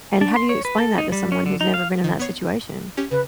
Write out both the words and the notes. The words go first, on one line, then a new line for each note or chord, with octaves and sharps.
And, how do you explain that to someone who's never been in that situation?
D4
C6
C#5
B4
A4
D#4
G3
C#4
D3
D#4
F5
D#3
B3 C#5 C7
C#4 G4
C#3 B4